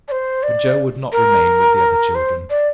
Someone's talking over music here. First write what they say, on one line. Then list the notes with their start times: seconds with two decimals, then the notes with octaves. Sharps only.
But Joe would not remain with the other children.
0.08 D5
0.11 C5
0.43 D5
1.12 A#4
2.15 C5
2.50 D5